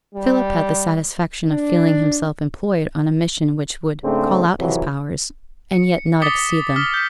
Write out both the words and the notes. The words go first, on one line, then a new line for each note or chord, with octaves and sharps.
Philip had the satisfaction of feeling himself employed on a mission which would call out his powers, and yet not exceed them.
G3
D4
G#2 C#3 A3 C4 D4 C5
F2 C3 E3 F#3
C#7
D6 D#6 A6 B6 C#7 G7
D#6 F6 B6 E7 G7
G6 B6